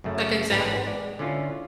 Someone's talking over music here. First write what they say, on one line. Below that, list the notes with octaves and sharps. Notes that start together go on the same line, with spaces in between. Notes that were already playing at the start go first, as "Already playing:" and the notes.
Like, example?
F#2 C#3 A3
A1 G#2 G4 B4 A5
G#3 D5
D3 C#4 E4 F4